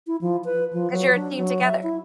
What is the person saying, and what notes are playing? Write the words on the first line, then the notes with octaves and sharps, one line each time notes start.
'cause you're a team together.
E4
F3
B4
F3
F#3
D4
F#3
E5
E4